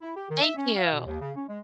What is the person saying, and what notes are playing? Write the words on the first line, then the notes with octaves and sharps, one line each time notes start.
Thank you.
E4
G4
D#3
E5
C#4
F5
B2
D#2
C#3
C#4
G#3